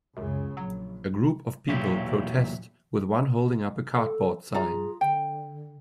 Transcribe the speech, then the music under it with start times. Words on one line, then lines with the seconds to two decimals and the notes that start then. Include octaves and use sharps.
A group of people protest with one holding up a cardboard sign.
0.17 C#2 F#2 C#3
0.57 A#1 F#3
1.67 B1 E2 A#2 F#3 E4 G4
3.97 A4
4.54 F4 G#4 A#5
5.01 D3 G5